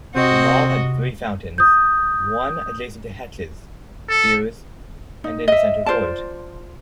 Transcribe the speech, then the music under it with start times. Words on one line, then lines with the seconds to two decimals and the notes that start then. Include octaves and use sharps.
The mall had three fountains, one adjacent to Hecht's, Sears, and in center court.
0.15 C3 C4 F#4 D#5
1.58 D#6 G6
4.09 A4
5.24 D#4
5.48 D#5 E5
5.86 F4 C5 D5 A5